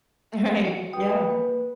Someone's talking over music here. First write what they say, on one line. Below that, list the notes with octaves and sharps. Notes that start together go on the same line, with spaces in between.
Right. Yeah.
F#4
B4 G5 D#6
A#3